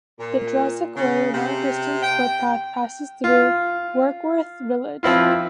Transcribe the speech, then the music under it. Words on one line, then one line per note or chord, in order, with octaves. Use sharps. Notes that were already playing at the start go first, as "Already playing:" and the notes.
The Jurassic Way long distance footpath passes through Warkworth village.
A#2
C#3
C3
G5
F4
F3 C4 E4 F4